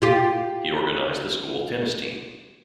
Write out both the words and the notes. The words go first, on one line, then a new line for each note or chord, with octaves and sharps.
He organised the school tennis team.
F4 G4